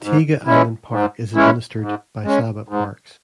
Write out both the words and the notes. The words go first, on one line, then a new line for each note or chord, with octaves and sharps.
Tiga Island Park is administered by Sabah Parks.
G#2
E3 G#3 C#4 E4
G#2
E3 G#3 C#4 E4
G#2
G#3 C#4
G#2